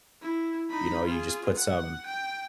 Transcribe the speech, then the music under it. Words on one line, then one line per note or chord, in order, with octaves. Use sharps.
you know, you just put some
E4
D#4 B5
F4 G#4
F#5
G5